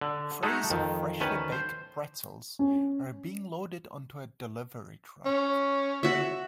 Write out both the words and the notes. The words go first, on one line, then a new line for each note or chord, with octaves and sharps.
Trays of freshlybaked pretzels are being loaded onto a delivery truck.
D3
G#3 A3 D#4 F#4 G#4 A4
F2 D#3
D2 D#3 C#4 B4 A5
C5
C#4
C#4
F#4 E5